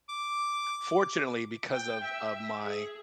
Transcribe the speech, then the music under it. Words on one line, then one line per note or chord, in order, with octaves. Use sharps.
fortunately because of of my,
D6
G5
E5
G#4